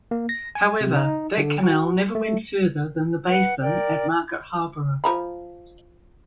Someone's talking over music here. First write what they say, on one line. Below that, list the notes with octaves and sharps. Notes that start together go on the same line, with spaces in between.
However, that canal never went further than the basin at Market Harborough.
A#3
A#6
G#5
C3
D#4
D3
F#4
A3
B4 F#5
A#4 D5 G5
F3 A#5 B5